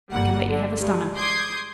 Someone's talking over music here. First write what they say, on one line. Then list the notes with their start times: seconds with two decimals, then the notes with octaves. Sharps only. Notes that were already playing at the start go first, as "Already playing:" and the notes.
I can let you have a stunner.'
0.11 G1 G3 A#3 F#5
0.48 D3
0.80 G2 G#3
1.15 C6 D6 D#6 G6 G#6 C7